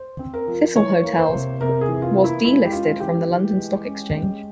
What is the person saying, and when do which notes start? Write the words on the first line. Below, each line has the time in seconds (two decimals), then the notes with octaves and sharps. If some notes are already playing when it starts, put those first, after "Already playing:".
Thistle Hotels was delisted from the London Stock Exchange.
Already playing: C5
0.19 C4
0.34 A#4
0.48 F3
0.76 E3 C#5
1.04 A#3
1.18 C5
1.32 C3
1.61 C3 A#4
1.81 G#4
1.88 E3
2.02 F4
2.16 A#3
2.24 E4
2.45 G#3 E4
2.65 G4
2.72 C#4 F4
3.00 E3 G4
3.30 E3
3.57 G#3
3.86 C#4
4.13 G#3